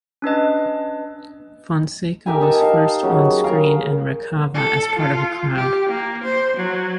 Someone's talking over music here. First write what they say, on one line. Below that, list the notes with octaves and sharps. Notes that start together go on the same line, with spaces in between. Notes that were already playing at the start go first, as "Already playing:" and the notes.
Fonseka was first on-screen in "Rekava" as part of a crowd.
C#4 D4 B4 D#5
G4 A#4 E5 G#5
D#4 A5
F5
C#3 F#3
G#4 A#4 F5
A4
F4
G4
A#3
C5
F#3